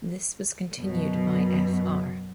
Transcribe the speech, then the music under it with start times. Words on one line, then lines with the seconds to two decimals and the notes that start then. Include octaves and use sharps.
This was continued by Fr.
0.76 F#2 B2